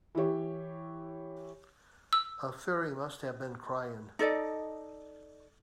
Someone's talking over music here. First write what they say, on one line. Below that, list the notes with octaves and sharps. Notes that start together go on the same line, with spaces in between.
A fairy must have been crying.
E3 E4 G4 C#5
E6
D#4 A4 D5 D#5